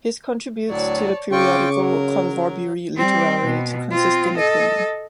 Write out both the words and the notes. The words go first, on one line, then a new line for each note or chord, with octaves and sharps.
His contributes to the periodical "Convorbiri Literare" to consistent acclaim.
D2 A2 F#3 C#5 D5 A5
C#3 C4 F4 G5 C#6 D6
F#3 A#4
G3 C4
B2
C4 F4
A4 D#5